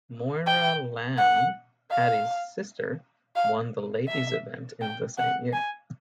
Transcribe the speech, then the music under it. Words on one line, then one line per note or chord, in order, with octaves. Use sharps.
Moira Lambe, Paddy's sister, won the ladies' event in the same year.
G5
F#5
F5
F5
E5
G5
F#5
G#5